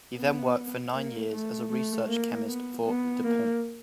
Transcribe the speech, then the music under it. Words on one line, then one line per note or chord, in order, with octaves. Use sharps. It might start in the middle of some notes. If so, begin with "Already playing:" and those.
He then worked for nine years as a research chemist for DuPont.
B3
A#3
A3
A3
A#3
B3
B3
A#3